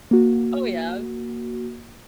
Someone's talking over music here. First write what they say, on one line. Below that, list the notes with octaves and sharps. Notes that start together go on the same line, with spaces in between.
Oh, yeah.
A#3 F#4